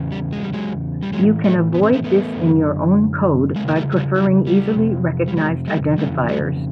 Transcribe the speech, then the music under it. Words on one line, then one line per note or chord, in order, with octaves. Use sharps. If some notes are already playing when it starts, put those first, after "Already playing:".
You can avoid this in your own code by preferring easily recognized identifiers.
Already playing: E2 C#3
G3
G#3
G3
F#3 G#3
G3
A2 E3 F#3 G#3
G3 A3
B3
C4
A3 B3
A3 B3
F#2 D3
E2 C#3 E3 G#3 A#3
A#3
G3 A3
G#3
G3
F#3
G3
F2 C3
G3
F#3 G#3
G3 A3
F2 C#3 E3 G3 A3
G3 A3